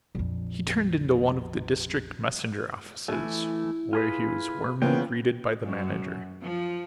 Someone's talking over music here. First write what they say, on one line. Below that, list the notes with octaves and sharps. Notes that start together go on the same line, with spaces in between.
He turned into one of the district messenger offices, where he was warmly greeted by the manager.
A#1 F2
E3 A3 E4 G#5
F4 G#4 B4
C#3 E3 F3 A#3 B3 B4 G5
F#2
F3